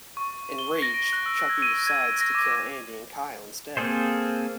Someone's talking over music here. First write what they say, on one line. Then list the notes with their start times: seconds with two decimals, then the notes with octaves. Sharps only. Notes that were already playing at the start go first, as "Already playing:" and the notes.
Enraged, Chucky decides to kill Andy and Kyle instead.
0.17 C#6
0.59 G7
0.82 A#6
0.94 D7
1.13 F#6
1.26 E6
1.49 G#6
1.62 D#7
1.87 G#6
2.21 A#6
2.35 D6
3.77 A#3 C4 G#4 A4 C5